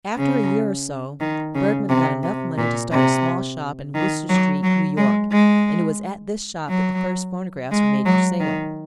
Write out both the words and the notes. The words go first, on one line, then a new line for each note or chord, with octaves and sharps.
After a year or so, Bergmann got enough money to start a small shop in Wooster Street, New York, and it was at this shop that the first phonographs were made for sale.
C#3
D#3
C#3
C3
C3
A#2
C3
D#3
F#3
F#3
G#3
G#3
F#3
G#3
F#3
D#3